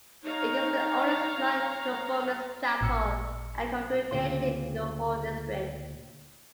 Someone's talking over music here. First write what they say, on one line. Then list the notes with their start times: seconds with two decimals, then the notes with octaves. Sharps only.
It is the oldest Non-conformist chapel and congregation in the whole district.
0.23 D#4 C#5 F5 A#5
2.81 A1 A#2 E6 C#7
4.11 D2 A#2 C#3 C6